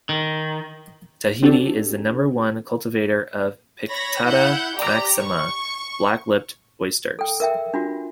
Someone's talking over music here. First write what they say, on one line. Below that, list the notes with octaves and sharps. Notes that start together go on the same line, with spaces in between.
Tahiti is the number one cultivator of "Pinctada maxima" black-lipped oysters.
D#3
C4 D4 F#4 G4 A4
C#5 B5 A#6
E4 F#5 G6
G4 D5 A#5
C#6
A4 G5
A#4 E5 G5
D4 F4 F#4